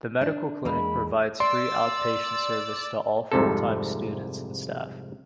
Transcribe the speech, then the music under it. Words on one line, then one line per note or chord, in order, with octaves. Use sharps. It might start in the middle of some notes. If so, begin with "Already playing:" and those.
The medical clinic provides free outpatient service to all full-time students and staff.
D4
E2 G#3 A#3 B5
D5 C6 E6
C2 F2 G#2 C3 A4